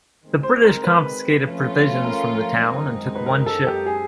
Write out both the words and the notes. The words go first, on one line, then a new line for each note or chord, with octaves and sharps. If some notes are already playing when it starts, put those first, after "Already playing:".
The British confiscated provisions from the town and took one ship.
D#3 G#3 C4
C5
A#4
B4
F3 A3 C#4 F4
A#4
A#4
F#2 D#3 G#3 C4 D#4
B4
A#4
A4
G4
G#4